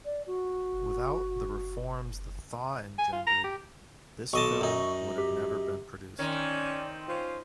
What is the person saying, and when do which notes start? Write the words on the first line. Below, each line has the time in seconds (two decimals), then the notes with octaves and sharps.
Without the reforms the "Thaw" engendered, this film would have never been produced.
0.05 D5
0.27 F#4
2.99 G#5
3.12 F4
3.27 A#5
3.44 G4
4.33 B1 D#5 A5 C#6
4.61 F#2 D#4
5.18 G4
6.19 D#3 C4 C#4 D5
7.08 C#4 F4 C5